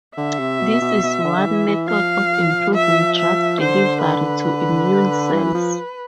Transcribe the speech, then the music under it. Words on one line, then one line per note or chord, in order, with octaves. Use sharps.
This is one method of improving drug delivery to immune cells.
D3 E5
C3
B2
B2
B2
D3
D3
E3
E3
F3 F5
E5
E5
D3 C5
D3 B4
E3
F3